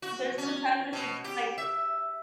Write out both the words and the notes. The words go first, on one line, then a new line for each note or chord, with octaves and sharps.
There's been times where she's like
F#4
C#4
B2
G4
E5